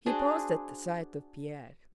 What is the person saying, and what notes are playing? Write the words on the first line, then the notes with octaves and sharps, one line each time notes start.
He paused at the sight of Pierre.
D4 F#4 G#4 C5